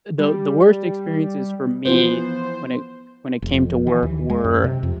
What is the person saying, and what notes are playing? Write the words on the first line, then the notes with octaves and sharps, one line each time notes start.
the the worst experiences for me when it when it came to work were
G3
E3 F3 B3 C5
F1
F2
E3
D#2
G#3
F#2
C3
F2